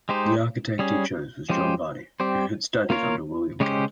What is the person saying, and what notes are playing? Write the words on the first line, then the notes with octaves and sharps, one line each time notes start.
The architect he chose was John Vardy who had studied under William Kent.
G#3 D#4 G4 C5
G3 C#4 G#4
F3 G#3 C#4 G4 C5
G3 C4 G4 C5
A#3 F4 A#4 C#5
C#3 G#3 C#4 G4 C5